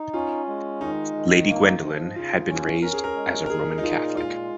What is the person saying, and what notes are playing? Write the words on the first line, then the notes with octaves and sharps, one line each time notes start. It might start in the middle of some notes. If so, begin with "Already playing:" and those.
Lady Gwendoline had been raised as a Roman Catholic.
Already playing: D#4
C#4 F4
G#3
D#3 D#4
D#3
A#3
F3
C#3 F4
C#4
C#4 A#4
G#4
A#4
G#3
A#4
A#2 G#4
D#4
A#2 F4
G#3 F4